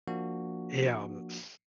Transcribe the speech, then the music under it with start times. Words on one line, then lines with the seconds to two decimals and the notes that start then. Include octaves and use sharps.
a, um, s
0.08 F3 A#3 D4 F#4